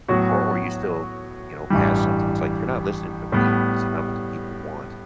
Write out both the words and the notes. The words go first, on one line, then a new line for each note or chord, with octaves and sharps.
Or or you still, you know, pass something it's like, you're not listening to people, this is not what the people want.
A2 F#3 B3 F#4
A1 G2 E3 G3
A2 G3 B3